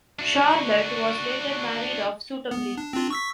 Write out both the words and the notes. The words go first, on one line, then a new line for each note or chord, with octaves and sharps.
Charlotte was later married off suitably.
D4 F#4
B3
D4
C4 D4 F4
C#6 E6 B6